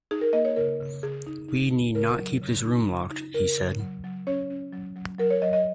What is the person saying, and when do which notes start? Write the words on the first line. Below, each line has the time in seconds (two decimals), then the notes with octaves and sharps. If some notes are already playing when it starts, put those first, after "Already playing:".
"We need not keep this room locked," he said.
0.11 D#4 G#4
0.21 A#4
0.33 A#3 D#5
0.45 C#5
0.56 C#3 A#4
0.80 C#3
1.03 C#3 G#4
1.27 D#4
1.48 D#4
1.72 C#3
1.95 C#3 A#4
2.19 F#3
2.42 C#3
2.65 D#4
2.88 C#3
3.11 D#4
3.34 C#3 A#4
3.58 C#3
3.80 F#3
4.04 F#3
4.27 C#4 C#5
4.50 C#4
4.73 F#3
4.96 F#3
5.18 F#3 A#4
5.30 C#5
5.42 F#3 D#5
5.53 D#5